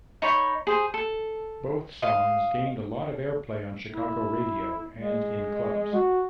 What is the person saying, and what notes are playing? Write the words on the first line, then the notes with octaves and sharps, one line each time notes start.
Both songs gained a lot of airplay on Chicago radio and in clubs.
D#4 C#5 B5
G#4 C5
A4
D#5 F5
E4
G#3
F#4